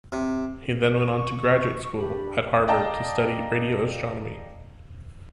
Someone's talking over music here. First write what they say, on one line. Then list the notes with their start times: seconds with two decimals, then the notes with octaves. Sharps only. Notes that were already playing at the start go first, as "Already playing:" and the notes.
He then went on to graduate school at Harvard to study radio astronomy.
0.12 C3
0.94 C#6
1.96 D4 G4 B5
2.68 D5 D#5 F5 G5 A5 A#5